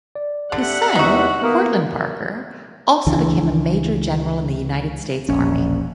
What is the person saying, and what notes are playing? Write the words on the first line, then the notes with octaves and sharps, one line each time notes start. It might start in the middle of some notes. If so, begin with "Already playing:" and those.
His son, Cortlandt Parker, also became a major general in the United States Army.
D5
D3 G4 E5 F#5
E2 C3 D#4 F#4
A#3 B3 A#4 D#6
C#2 E3 D4
E1 A#1 C#4